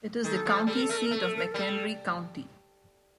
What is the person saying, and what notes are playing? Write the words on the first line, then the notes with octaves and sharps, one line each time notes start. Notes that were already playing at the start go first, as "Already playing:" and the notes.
It is the county seat of McHenry County.
D#3 A4
F3
G3 A4
A#4
A4
A3 A#4
A4
A#4
A3 A4
A#4
A4
A#4
A4
G3 A#4
A4